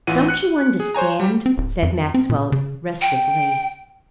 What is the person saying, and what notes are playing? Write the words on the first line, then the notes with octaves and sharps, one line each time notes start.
"Don't you understand?" said Maxwell, restively.
A1 E3 F4 F#5 D#7
F#6 C#7
G#4
C5 C#5 G#5 A#5
G3 G4
C4
D1
F2
C4
A#2
C#3
G5